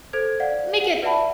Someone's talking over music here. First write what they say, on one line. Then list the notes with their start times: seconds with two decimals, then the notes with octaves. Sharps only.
make it
0.13 A4 C5 G#6
0.40 D5 F5 F#5
0.80 F#5
1.02 B4 D5 E5 F#5 A5 B5